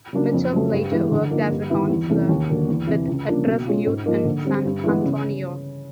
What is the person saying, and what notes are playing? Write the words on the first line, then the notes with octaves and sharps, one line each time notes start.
Mitchell later worked as a counselor with at-risk youth in San Antonio.
C#3 F#3 A#3 D4
F2
C#3 F#3 A3
G2
E3 G#3 B3
D3
F3 A#3 D#4
G2
D#3 G3 B3 E4
E2
C3 E3 A3 C#4
D#2
D3 F#3 A#3 D4
E2
C3 E3
C#2
C#3 F3 A#3 D4
B2
G#3 C#4 F4
G#2
F3 A#3 D#4
D3
G3 C4
G2
E3 G#3 B3
C#3